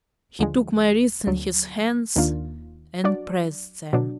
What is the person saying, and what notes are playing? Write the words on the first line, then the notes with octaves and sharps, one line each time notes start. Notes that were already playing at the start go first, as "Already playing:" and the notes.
He took my wrists in his hands and pressed them.
D#2 D3 F3 G#3
D2 D3 F#3
D#2 D#3 A#3 D4 F4
F#3 D4 F#4 D5
B2 F#3 D4